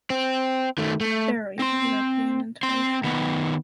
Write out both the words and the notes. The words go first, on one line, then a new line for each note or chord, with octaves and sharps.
It buried European integration.
C4
D#3 A3
A3
C4 C6
C4 C6
D#3 B3